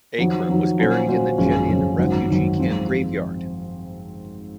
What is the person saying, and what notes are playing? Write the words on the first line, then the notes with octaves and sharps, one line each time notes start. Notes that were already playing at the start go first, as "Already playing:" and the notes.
Akram was buried in the Jenin refugee camp graveyard.
F2 D#3 F#3
F2 D#3 F#3
A#2 F#3 C#4 F#4 C5
A#2 F#3 C#4 F#4 C5
G#1 F#2 F3 G#3 C#4
G#1 F#2 F3 G#3 C#4
G#1 F#2 D#3 F#3
G#1 F#2 D#3 F#3
G#2 F3 C4